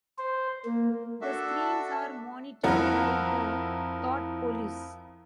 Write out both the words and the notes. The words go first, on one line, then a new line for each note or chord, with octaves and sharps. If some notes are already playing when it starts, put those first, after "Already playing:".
The screens are monitored by the Thought Police.
C5
A#3
D4 F#4 A4 E5
F2 E4 A#4 F#5